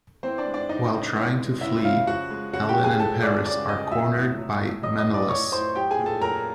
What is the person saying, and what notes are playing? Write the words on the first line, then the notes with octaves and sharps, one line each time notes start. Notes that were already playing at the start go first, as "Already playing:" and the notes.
While trying to flee, Helen and Paris are cornered by Menelaus.
E3 C4 C5
D4 D5
G#3
D4 D5
C#3 D#4 D#5
C#3
E3
G#3
C#3 E4 E5
C#3 F4 F5
F3 F#4 F#5
G#3
C#3 F#4 F#5
G4 G5
C#3
G#4 G#5
F3 A4 A5
G#3 D5 D6
C#3 D5 D6
C#3 D#5 D#6
F#3 E5 E6
A2
F#3
A2
F#3 D#5 D#6
D#5 D#6
A2
D5 D6
F#3 C#5 C#6
A2 C5 C6
F#3 G4 G5
G#4 G#5
A#2
A4 A5
F#3 A#4 A#5